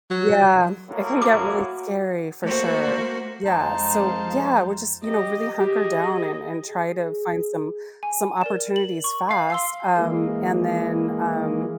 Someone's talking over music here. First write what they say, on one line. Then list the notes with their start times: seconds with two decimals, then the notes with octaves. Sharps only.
Yeah, it can get really scary for sure. Yeah, so, yeah, we're just, know, really hunker down and and try to find some some opportunities fast, um, and then, um,
0.10 F#3
0.88 A2 F#3 A#3
1.22 F#4 D6
2.43 A3 A#3 F#4 C5
3.44 F2 G#3 D#4 C5 F5 A5
5.04 G4 D#5
5.60 G4 G#4 D#5
6.70 G#4
8.03 G#5
8.41 A#4 D5 E7
8.76 F#7
9.04 C#6
9.31 F5
9.50 C6 E6 C7
9.97 E3 G#3 A#3